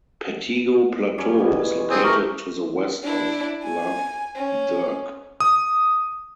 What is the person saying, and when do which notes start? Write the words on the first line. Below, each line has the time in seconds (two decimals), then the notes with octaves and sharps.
Pettigo Plateau is located to the west of Lough Derg.
1.18 F#3 G3 C#4
1.39 B2 E3
1.91 C4 G#4
2.04 A3 G4 A#4 E5 C#6
3.03 D4 E4
3.64 G#5
4.35 C#4
5.40 D#6